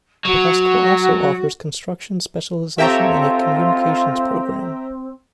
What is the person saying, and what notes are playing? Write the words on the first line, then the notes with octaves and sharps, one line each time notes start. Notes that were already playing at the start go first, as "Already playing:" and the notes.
The high school also offers a construction specialization and a communications programme.
F#3 F#4
C4 F4 G4 A4 C#5 E5 G5 A#5